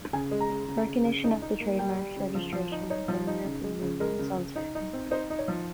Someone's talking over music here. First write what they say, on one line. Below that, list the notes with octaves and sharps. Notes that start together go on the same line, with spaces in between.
Recognition of the trademark's registration within the European Union is uncertain.
C#3 G#5
G#3
A#5
C#3
C#3
C#3
C#3
D#4
D#4
A#3
G3 G5
G3
C#3
F3
F3
D#4
D#4 C#5
F3
D#4
C#3
G#3
C#3
G#3 A#4
C#3
C#3
D#4
D#4
C4
D#4 C5
D#4
C#5
F3